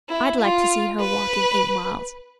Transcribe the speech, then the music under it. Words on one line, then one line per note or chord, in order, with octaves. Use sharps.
I'd like to see her walking eight miles.
E4
F4
B4